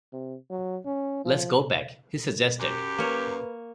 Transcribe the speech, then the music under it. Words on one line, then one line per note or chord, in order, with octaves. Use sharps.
"Let's go back," he suggested.
C3
F#3
C#4
F3
F#2 G4
A#3 B4 C#5